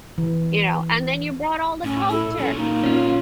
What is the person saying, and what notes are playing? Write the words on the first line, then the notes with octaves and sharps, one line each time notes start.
you know, and then you brought all the culture.
E3
A2 C#4
E4 A4
A#2 F#3 C#4 A4
A#3 D#4
C#4 F4